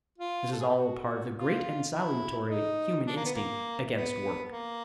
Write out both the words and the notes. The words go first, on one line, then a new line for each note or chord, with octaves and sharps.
This is all a part of the great and salutary human instinct against work.
F4
A4
G#4
G4
F#4
F4
E4
D#4
D4
A#3
B3
A#3
B3
A#3